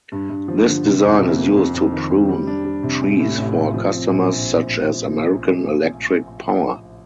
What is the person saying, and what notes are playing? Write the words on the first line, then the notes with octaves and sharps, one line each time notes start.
This design is used to prune trees for customers such as American Electric Power.
G2
G2
F3
D3
C3
F2
C3
A#3
F2
F2
D#3
F2
G3
D4
G3
C3
A1
A2
A1
A1
F3
C4
A#1